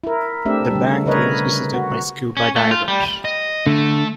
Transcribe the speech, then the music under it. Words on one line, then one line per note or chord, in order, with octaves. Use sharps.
The Bank is visited by scuba divers.
E4 A#4
A3 C4 D4 G4 E5
D3 G3
C#3 A#4 B4 C#5 D#5
F#4
C#4
A3
F4
G3
D#5
D3 A3